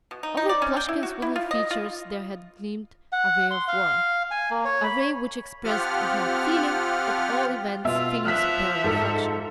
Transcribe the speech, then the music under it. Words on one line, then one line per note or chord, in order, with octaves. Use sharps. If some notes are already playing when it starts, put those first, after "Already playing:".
Over Plushkin's wooden features there had gleamed a ray of warmth--a ray which expressed, if not feeling, at all events feeling's pale reflection.
B2
D#4
D#4
D5
C#4
G5
E4
F#4
E4
F4
D#5
F4
F#5
C6
F5
G#5
A#3
C#5
B5
C#5
F3 C4 F4 G4 F#5 F6
B2 F4 E5 E6
F3 E5 F6 F#6 B6
G#2 A4